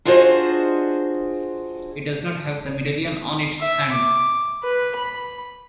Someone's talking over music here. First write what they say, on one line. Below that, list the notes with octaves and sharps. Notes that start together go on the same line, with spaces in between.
It does not have the medallion on its hand.
D4 F4 F#4 G#4 C5 D#5
E5
D6
B4
B5